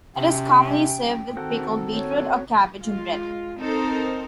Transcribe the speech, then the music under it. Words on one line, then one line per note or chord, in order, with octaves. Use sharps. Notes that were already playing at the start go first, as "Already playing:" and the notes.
It is commonly served with pickled beetroot or cabbage and bread.
C3 C#4 G5
D#3 C4 F#4 A4 A#4
C#5
G#3 F4
C4 D#4 A4 A#4 C5